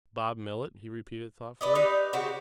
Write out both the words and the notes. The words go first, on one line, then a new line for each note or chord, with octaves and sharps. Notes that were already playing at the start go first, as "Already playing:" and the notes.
"Bob Millet," he repeated thoughtfully.
B4 D5 D#5
D#4 G4 B4
C#3 F#4 G4 C5